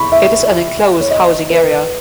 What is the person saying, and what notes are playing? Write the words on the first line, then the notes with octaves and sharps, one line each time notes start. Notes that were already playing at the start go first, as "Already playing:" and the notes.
It is an enclosed housing area.
Already playing: B5 C#6
E5
C#5
D#5
B4